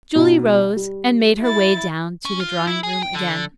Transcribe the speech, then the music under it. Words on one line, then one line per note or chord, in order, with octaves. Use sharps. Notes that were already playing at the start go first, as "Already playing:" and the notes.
Julie rose and made her way down to the drawing-room again.
B2 D#4
G3
E4 A6
C#4
F4
E4
G#4
G5
D3